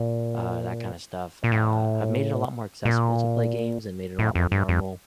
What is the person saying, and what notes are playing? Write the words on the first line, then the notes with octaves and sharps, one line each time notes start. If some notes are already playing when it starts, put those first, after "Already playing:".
uh, that kind of stuff, uh, have made it a lot more accessible to play games, and made it a lot more normal,
Already playing: A#2
A#2
A2
A#2
A2
F2
G2
F2